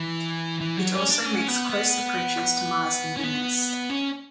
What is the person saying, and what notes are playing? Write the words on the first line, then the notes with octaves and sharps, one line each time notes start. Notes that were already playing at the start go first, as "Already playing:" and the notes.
It also makes close approaches to Mars and Venus.
Already playing: E3
E3
F#3
C#4
D4
C#4
B3
B3
C#4
B3
C#4